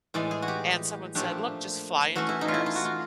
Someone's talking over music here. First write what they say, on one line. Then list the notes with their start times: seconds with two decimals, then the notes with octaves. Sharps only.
And someone said, "Look, just fly into Paris,
0.14 A2 E3 G#3 D5
0.31 G#4
0.42 F#4
0.48 G4
1.15 A#2 F3 A3 D4 G4
2.15 E3 A3 C#4 F#4
2.29 E4
2.41 D#4
2.48 F4
2.54 E4
2.66 F4
2.76 F#4
2.85 F4